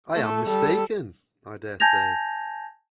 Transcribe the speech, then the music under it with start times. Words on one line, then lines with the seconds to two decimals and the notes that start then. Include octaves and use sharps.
I am mistaken, I dare say.
0.15 A3 A4
0.47 G3 A4
1.80 G#5 A5 G6 G#6 A#6 F7